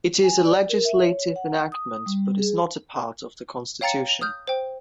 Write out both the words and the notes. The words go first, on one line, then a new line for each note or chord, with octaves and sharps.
It is a legislative enactment but is not a part of the Constitution.
G#5
D5
A#4
E5
C#5
F#5
D#6
G3
G#4
C#5 F5 G5 A#5 A6 C#7
D#6 F6 G6
C5 G5